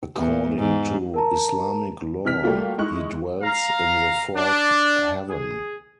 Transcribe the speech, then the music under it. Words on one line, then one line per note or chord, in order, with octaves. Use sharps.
According to Islamic lore, he dwells in the Fourth Heaven.
E2
G#2
A#4 A5 A#5
C3 E3 F6 B6
G3 A3 A#3 F4 F#4
G#3 D#4 E4 C#6 F#6
F5 A#5
D4
G#4